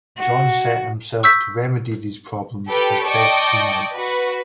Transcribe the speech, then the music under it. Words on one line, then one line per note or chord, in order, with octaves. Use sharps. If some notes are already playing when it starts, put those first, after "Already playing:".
John set himself to remedy these problems as best he might.
F#4
C#6 E6 G6 B6
G4 A4 B4 G5
D5 D#5 G5 A5 C#6 D6
F#4 B4